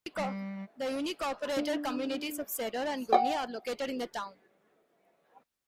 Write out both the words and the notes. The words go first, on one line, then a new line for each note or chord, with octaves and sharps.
The unincorporated communities of Cedar, and Gurney are located in the town.
G3
D4
F#5 G5